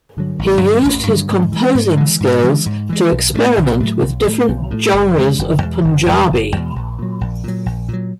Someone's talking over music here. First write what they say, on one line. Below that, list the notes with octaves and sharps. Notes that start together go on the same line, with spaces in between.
He used his composing skills to experiment with different genres of Punjabi.
G2 D3 F#3
A1
G2 D3 F#3
A1
G2 D3 F#3
G#2
E3 G#3
G#2
E3 G#3
G#2
E3 G#3
G#2
E3 G#3
B1
A2 F#3 A3
B1
A2 F#3 A3
B1
A2 F#3 A3
B1
A2 F#3 A3
F#1
E2 B2 G#3
F#1
E2 B2 G#3
F#1
E2 B2 G#3
F#1
E2 B2 G#3
A#1
A#2 F#3
A#1
A#2 F#3
A#1
A#2 F#3